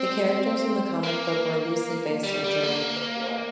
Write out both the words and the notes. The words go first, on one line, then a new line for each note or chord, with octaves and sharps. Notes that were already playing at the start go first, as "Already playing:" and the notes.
The characters in the comic book were loosely based on German folklore.
Already playing: C4
A#3
G3
G3
A#3